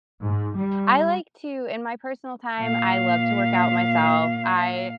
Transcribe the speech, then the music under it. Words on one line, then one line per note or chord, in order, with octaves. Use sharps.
I like to in my personal time, I love to work out myself, I,
G#2
G3
A#2 F5